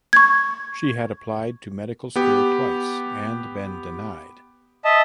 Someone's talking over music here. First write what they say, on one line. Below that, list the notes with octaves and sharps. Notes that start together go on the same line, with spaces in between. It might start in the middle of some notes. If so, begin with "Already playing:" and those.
She had applied to medical school twice and been denied.
C#6 G#6
B3 G4
D#5 E5 A5